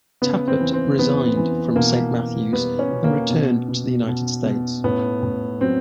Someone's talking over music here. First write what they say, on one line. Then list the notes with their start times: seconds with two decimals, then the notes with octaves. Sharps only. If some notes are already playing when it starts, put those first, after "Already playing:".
Tappert resigned from Saint Matthew's and returned to the United States.
0.22 C#3 B3
0.48 C4
0.60 E3
0.74 C4
0.99 E3 B3
1.37 E3
1.76 B2 A#3
2.15 B2
2.53 G3 B3
2.79 C#4
2.91 B2
3.04 A#3
3.30 B2
3.68 B2
4.07 B2
4.46 B2
4.84 A2 B3
5.23 A2
5.61 F#3 C4